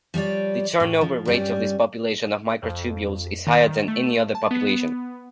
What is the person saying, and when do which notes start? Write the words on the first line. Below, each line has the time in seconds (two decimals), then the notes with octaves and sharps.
The turn-over rate of this population of microtubules is higher than any other population.
0.14 F3 G3 C#5 D5
0.80 A2
1.01 F3
1.25 G2 G3 C#4
2.63 F2
3.47 D#3
3.88 A3
4.35 A5
4.51 B3